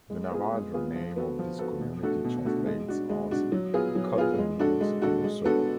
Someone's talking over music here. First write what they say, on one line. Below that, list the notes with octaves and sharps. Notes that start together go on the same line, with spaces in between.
The Navajo name of this community translates as "cottonwoods in a circle".
G#3
B3 F4 G#4
G#3
B3 F4 G#4
F3
B3 F#4 A4
F3
B3 F#4 A4
B2
A3 D4 F#4 A4
B2
A3 D4 F#4 A4
G#3
D4 F#4
G#3
D4 F#4
F#3
B3 F4 G#4
F#3
B3 F4 G#4
G#3
D4 F#4 A4
G#3
D4 F#4 A4
G#3
B3 D4 F#4 A4